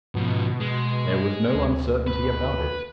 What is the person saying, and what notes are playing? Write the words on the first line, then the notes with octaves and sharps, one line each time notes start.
There was no uncertainty about it.
G#2 B2 F3
G#3
D2
B4